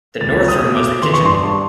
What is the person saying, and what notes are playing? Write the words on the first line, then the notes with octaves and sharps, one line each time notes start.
The North room was the kitchen.
C#2 A6
C4
D#6
B2
D6
B2
E3 C6
C#6
G2 C6
G2